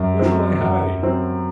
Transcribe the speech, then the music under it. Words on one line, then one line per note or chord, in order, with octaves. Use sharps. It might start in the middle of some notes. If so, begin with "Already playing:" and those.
Where shall I hide?
Already playing: F#2
F#3 C4
F#2
F#3 C4